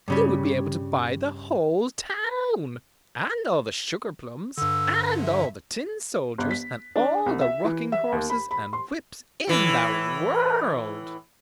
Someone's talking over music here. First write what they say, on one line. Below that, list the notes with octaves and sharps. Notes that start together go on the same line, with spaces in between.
He would be able to buy the whole town, and all the sugar-plums, and all the tin soldiers, and all the rocking-horses and whips in the world.
G2 C#3 G3
G2 D3 E6
E5
G1
B6
D4
C2
E5
E3
E5
D#2
B5
B5
C6
A2 E3